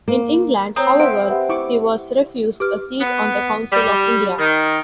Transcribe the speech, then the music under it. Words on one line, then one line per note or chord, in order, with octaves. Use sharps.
In England, however, he was refused a seat on the Council of India.
A#3
C4 C#5 A#5 D#6
C5 E5 F#5 D7
G4 B4 E5 F#5
E4 C#6 D6
G4 B4 D6 F6
B3
G3
D#3